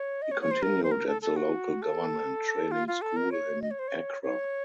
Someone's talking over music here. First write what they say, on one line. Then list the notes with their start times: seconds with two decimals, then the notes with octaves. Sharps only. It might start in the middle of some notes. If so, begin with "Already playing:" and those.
He continued at the Local Government Training School in Accra.
Already playing: C#5
0.22 D#5
0.31 C#5
0.42 C#5
0.51 C5
0.62 A#4
0.83 C5
0.91 A#4
1.07 A4
1.22 A4
1.36 F#4
1.82 A4
2.71 F4
2.88 F4
3.02 A4
3.16 A#4
3.32 C#5
3.62 D#5
3.71 C#5
3.79 C5
3.88 C#5
4.23 C#5